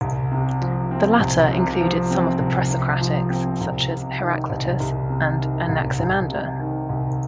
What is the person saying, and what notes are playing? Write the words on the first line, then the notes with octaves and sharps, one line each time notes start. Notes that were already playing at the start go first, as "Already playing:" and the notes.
The latter included some of the Presocratics, such as Heraclitus and Anaximander.
C2
C3
F3
C4
C2
C3
F3
C4
C2
C3
F3
C4
C2
C3
D#3
C2
C2
C3
D#3
C2
C2
C3
D#3
C2